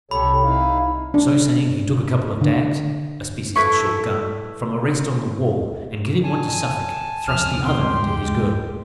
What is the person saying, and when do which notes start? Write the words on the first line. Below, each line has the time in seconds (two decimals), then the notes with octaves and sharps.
So saying, he took a couple of dags--a species of short gun--from a rest on the wall, and giving one to Suffolk, thrust the other into his girdle.
0.11 C2 C3 G4 A4 C#5 B5
0.43 D#4 E4 F5
1.14 D4
2.41 D3
3.56 A3 E4 B4 C#6
6.24 G#5 A5
7.27 D#1 C#2 F3 F6
7.64 C4 G4 G5 C6
7.83 G#3